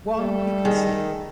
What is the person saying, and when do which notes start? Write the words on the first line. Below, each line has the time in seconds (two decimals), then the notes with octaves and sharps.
One you can see.
0.18 G3 A3 A4
0.65 D#3 G#4